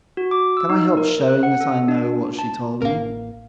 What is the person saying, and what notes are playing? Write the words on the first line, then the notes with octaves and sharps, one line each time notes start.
Can I help showing that I know what she told me?
F#4
D6
E6
D#4
A#4
F#6
F#5
A4
D4
A5
A1 A2 A#3 A#4 F5